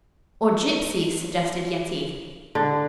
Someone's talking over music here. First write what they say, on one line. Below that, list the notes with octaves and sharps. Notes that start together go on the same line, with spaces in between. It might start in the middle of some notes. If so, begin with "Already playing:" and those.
"Or gypsies" suggested Yetive.
D3